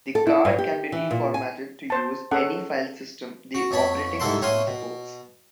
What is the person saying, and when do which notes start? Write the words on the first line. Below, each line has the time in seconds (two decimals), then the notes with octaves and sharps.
The card can be reformatted to use any file system the operating system supports.
0.15 A4
0.27 E4
0.45 G2
0.58 G4
0.92 E3
1.11 A#2
1.34 G#5
1.90 C5 A5
2.31 C#4 G#4 A4 F#5
3.55 F#4
3.71 F2 B3 C#5 A5 B5
4.20 C2 G#2 E4 A4 F#5 C6
4.42 A2 C#5 F5 F#5 C6 D#6
4.67 B2